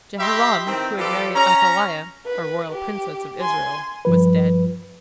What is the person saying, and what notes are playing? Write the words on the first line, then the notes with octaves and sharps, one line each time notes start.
Jehoram, who had married Athaliah, a royal princess of Israel, was dead.
G4 D#5 E5 B5 C6
D#3 E3 C4
F3 G4 A4 B4 D5
C#4 A#5
B4
G4
G#5 C6
G2 F3 B4